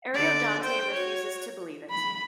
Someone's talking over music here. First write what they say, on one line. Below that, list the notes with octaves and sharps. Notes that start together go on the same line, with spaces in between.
Ariodante refuses to believe it.
D3 D5
C5 G5
F#4 C#5
B5